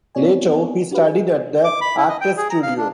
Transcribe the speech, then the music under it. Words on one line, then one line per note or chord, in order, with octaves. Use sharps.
Later he studied at the Actors Studio.
B3 C4 F4 C#5 D5 G#5
D4 F#4 G4 B4 F5
G#4 G#5
D6
B5
E4
D#5
G5
G#4
A#5
F5
D4